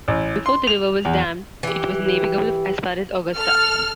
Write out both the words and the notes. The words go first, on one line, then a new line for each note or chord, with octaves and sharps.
Before the river was dammed, it was navigable as far as Augusta.
A1
C6
F7
E2
E3 G4
A4 F6